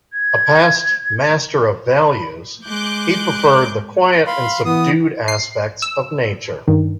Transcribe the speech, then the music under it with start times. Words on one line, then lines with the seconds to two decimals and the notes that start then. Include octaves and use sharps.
A past master of values, he preferred the quiet and subdued aspects of nature.
0.13 G#6
1.91 B5
2.67 G#3 D6 F#6 G6
4.27 F5 B5 C6
4.65 E3 B3 D#6
5.28 C7
5.82 E6
6.68 G2 D#3